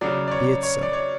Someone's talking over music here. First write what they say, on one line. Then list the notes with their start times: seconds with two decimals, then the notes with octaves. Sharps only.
Be it so.
0.01 C#3 F#3 D5
0.28 D5
0.31 C#5
0.63 C#5
0.83 D5
0.93 C#5